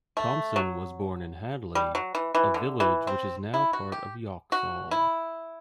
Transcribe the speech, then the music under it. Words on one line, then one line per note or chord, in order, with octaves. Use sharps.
Thompson was born in Hadley, a village which is now part of Yoxall.
A3
F#3
G3
F#3
E3
E3
D3
E3
C4
E4
F#4
G4
F#4
E4